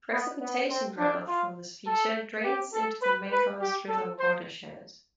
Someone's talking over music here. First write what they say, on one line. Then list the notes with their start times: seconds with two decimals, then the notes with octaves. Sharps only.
Precipitation runoff from this feature drains into the Mancos River watershed.
0.12 B3
0.41 B3
0.70 C4
0.98 D4
1.28 F4
1.85 A4
2.43 G4
2.73 A4
3.02 B4
3.31 B4
3.60 G4
3.89 A4
4.18 C5